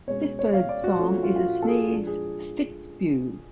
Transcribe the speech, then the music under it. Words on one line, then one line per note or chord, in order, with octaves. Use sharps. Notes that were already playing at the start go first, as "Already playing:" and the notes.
This bird's song is a sneezed "fitz-bew".
B2 G#3 C#4 C#5
C#5
F5
D5
F#4
F3 A3 C#4 F4 F#4
F4
F4
F#4
A4
G#4
F3 G#3 D4
G#4